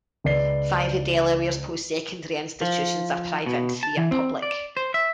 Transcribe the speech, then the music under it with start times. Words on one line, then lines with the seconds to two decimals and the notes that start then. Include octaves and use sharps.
Five of Delaware's post-secondary institutions are private and three are public.
0.24 C#2 B4 D5 C7 G7
2.61 F3
3.46 B2
3.83 A5
3.97 E3
4.11 C4
4.42 D5
4.77 C5
4.94 E5